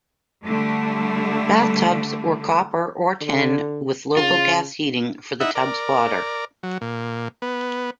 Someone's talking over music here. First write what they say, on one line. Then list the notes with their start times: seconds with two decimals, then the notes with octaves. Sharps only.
Bathtubs were copper or tin, with local gas heating for the tub's water.
0.43 D3 G3 A3
3.21 D3
4.17 C#3 F4
5.40 D#4 E4 E5 F#5
5.55 A#4 D5
6.63 F#3
6.81 A#2
7.42 B3